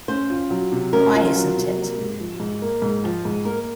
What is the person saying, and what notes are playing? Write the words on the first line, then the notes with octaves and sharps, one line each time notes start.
Why isn't it?
C#4 C5
F4
F#3
C3
C#4 A#4
F4
F#3
C3
A#3
G#2
F3
G#2
A#3
G#2
F3
G#2
A#3 A#4